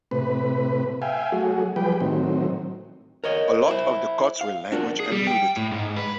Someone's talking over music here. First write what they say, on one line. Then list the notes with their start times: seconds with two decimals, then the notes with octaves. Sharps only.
A lot of the cuts were language and nudity.
0.11 A2 C3 B4
1.02 E5 F5 G5 G#5
1.32 F#3 A3 F#4 G#4
1.76 F3 G3 G#4 B4 G5
2.00 A2 D#3 F#3 C4
3.24 A#4 C#5 D#5
3.68 E4 C5
4.41 F5
4.72 D4 F4 F#4 A#4
5.00 G#4
5.12 G3
5.27 G5
5.57 A2
5.72 G#2
5.97 B4